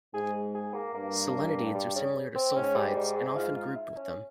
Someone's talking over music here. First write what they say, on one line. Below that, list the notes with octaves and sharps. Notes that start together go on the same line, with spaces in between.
Selenides are similar to sulfides and often grouped with them.
G#2 G#4
G#4
A#3
G2 A#3
G3
C#3
C4
G#2 C#4
G3
G3
G#3
F4
F4
E4
C#4